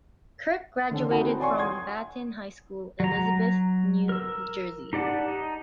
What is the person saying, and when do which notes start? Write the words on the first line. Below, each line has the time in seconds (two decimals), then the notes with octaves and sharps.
Kirk graduated from Battin High School, Elizabeth, New Jersey.
0.91 D3 C4 D4 A4
1.10 D#4 F#4 A4 F#5 A5 B5
1.21 E3 C4
1.40 D5 G#5 C6 C#6
1.57 C#5 F#5 C6 D#6 G#6
3.00 F#3 A#5
4.09 A#4 E6
4.93 D#4 G4 D5 F#5 A5
5.28 D#4